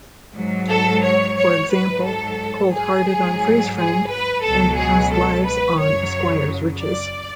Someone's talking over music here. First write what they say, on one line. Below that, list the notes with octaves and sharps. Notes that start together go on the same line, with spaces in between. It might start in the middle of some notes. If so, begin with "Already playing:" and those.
For example: "Cold Hearted" on "Freeze Framed" and "Past Lives" on "A Squire's Riches".
G#2 F#3
A4
C#5
C#5
G#2 F#3 B4
A4
G#4
G#2 F#3
G#4
B4
C#2 B2 F#3 A4
G#4
A4
B4
F#2 C#3 F#3 C#5
D5